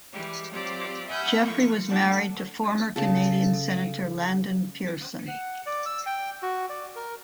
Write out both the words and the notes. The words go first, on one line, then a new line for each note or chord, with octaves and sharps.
Geoffrey was married to former Canadian Senator Landon Pearson.
E3 G3 G#3 G4
F#3 C4 F4 G4 C5 D5
E5 F#5 G#5 B5 F6 G6
A2 F3 A#3 F4 C#6
D3 A3 D4 F#4
C#3 A4
F#5
D5
E6
G5
F#4
D5
A#4